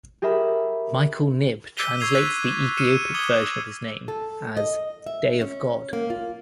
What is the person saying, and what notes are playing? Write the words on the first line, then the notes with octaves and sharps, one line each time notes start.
Michael Knibb translates the Ethiopic version of his name as "Day of God".
G4 G#4 A#4 E5 B5
D6 E6 G6 B6 D#7 G7
C#6 E6 G#6 C7 F7 G7
E6 F#6 A6 B6 D#7
F6 C7 C#7 D#7 E7
D6 D#6 G#6 G7
A4
D#5
E5
C#4
A#3
F4